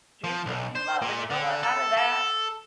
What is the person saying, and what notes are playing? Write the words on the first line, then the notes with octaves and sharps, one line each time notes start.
do things you love and you know what, out of that.
F3
B1
C5
A#2
D3
A4
A4